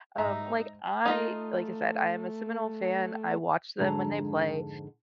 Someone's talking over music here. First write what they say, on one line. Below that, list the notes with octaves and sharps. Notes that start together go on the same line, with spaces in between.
um, like, I like I said, I am a Seminole fan, I watch them when they play.
G#2 D#4 E5 A#5
A3 D#4 F4 D#5
F2 G#2 D3 G#3 A5 A#5